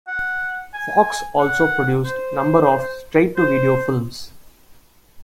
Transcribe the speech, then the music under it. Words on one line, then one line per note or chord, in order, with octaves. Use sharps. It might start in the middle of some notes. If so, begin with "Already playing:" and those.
Fox also produced number of straight-to-video films.
F#5
G#5
F#5
C5
C5